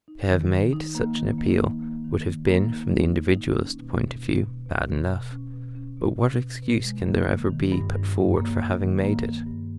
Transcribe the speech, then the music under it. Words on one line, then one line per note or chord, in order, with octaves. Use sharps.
To have made such an appeal would have been from the individualist point of view bad enough, but what excuse can there ever be put forward for having made it?
D#4
D#3
D#3
D#4
A#3
D#3
A#3
D#4
A#3
D#3
D#3
A#3
D#4
D#4
D#4
D#4
C#4
B2
B2
B2
B2
B2
B2
B2
C#4
B2
C#4
B2
B2
B2
B2
G#3
A#3
D#3
D#3
G2
G2
G2
A#3
G2
D#3
A#3
A#3
G2